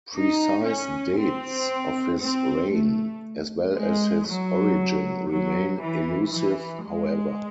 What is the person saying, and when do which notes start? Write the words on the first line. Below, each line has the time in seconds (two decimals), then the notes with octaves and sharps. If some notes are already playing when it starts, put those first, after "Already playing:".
Precise dates of his reign, as well as his origin, remain elusive however.
0.15 D#4
0.66 C#4
1.18 C4
2.22 C4
2.72 A3
3.76 G#3
4.28 F#3
5.31 F#3
5.83 E3
6.34 E3
6.87 G#3